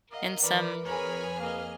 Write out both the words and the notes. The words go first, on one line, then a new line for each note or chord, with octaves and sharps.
and some
A#4 D#5 F5 F#5
E3 A#4 B4 D5 B5
F2 G#4 A#4 C#5 B5 F6
A#3 D#5 F5